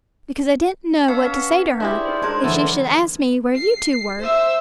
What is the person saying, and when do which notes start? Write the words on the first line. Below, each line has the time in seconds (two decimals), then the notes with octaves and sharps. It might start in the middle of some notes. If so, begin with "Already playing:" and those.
"Because I didn't know what to say to her, if she should ask me where you two were."
1.08 C#4 B4 F5 F#5 A5 E6
1.80 D4 E4 G4 G#4 D5 C6 C#6
2.05 D#4 C5
2.22 G#3 D4 A#4 C#5 D5 G#6 E7
2.44 D3 E3 F#3 B3 E4 A4 A#4
3.55 C7
4.19 C5 E5